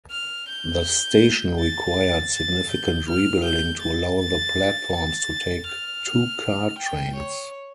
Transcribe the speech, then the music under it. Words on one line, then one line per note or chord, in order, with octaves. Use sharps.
The station required significant rebuilding to allow the platforms to take two-car trains.
F6
G6
A6
A6
G6
F6
G6
A6
A6
A6
F6
G5
C#5